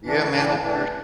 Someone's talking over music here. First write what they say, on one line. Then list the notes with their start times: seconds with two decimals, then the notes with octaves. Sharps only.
yeah, man, hope your
0.04 A2 E3 D4
0.33 A2 E3 D4
0.61 A2 E3 D4